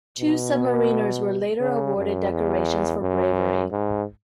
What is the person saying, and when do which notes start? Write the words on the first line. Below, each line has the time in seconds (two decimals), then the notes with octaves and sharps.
Two submariners were later awarded decorations for bravery.
0.20 B2
1.61 C#3
1.97 F#2
2.32 E2
3.02 F#2
3.72 G#2